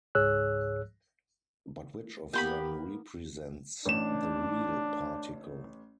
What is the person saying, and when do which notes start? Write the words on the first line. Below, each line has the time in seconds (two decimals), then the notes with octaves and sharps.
But which of them represents the "real" particle?
0.15 C#2 G#2 G#4 C#5 E6 F#6
2.33 A#3 B3 G4 B5 C6 G6
3.86 A1 D4 E7